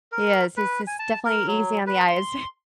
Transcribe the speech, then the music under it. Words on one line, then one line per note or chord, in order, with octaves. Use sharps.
He is, he's he's definitely easy on the eyes.
A#4
B4
G#5
A5
A#4
F#3
B4
C6